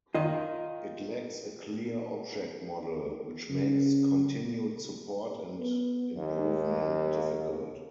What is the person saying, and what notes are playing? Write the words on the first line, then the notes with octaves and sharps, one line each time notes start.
It lacks a clear object model, which makes continued support and improvement difficult.
D#3 F4 D#5
C#3
B3
D#2